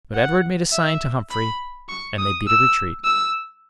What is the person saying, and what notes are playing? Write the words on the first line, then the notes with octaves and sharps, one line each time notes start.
But Edward made a sign to Humphrey, and they beat a retreat.
F#5
E5
B5
C#6
D#6
E6
E6